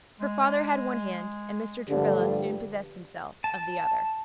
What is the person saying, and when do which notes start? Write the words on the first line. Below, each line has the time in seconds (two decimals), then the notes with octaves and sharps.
Her father had one hand, and Mr. Travilla soon possessed himself of the other.
0.20 G#3
1.89 G2 D3 F3 A3 G4
3.44 A5